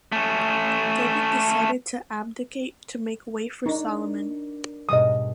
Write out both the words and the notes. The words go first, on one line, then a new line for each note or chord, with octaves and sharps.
David decided to abdicate to make way for Solomon.
A3 C#4
D4 D#4 A#4 C#5
G#2 B2 G3 D#5 D#6